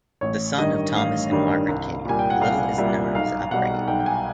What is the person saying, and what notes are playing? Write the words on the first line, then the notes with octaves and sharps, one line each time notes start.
The son of Thomas and Margaret Kenyon, little is known of his upbringing.
A1 C#5
G2 D#3 G3 D#5
A1 F5
G2 D#3 G3
C2
A#2 G3 G#5
G5
F#5
C2 F5
A#2 G3 E5
B1 F5
B2 G3 F#5
B1 G5
G5
G#5